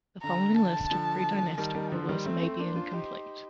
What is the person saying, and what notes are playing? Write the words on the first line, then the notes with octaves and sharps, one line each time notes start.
The following list of predynastic rulers may be incomplete.
D3 A#5
A5
D3 F3
D#3 G3 A5
D#3 G3
D3 F3 C5
D#3 G3
A3 C4
A3 C4
A#3 D4
D4 F4
D#4 G4